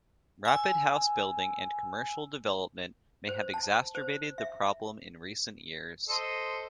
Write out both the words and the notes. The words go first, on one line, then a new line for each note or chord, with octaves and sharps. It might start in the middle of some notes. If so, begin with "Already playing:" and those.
Rapid house-building and commercial development may have exacerbated the problem in recent years.
G#5 E6
C5
A5
C5
E5
A4 C5 D#5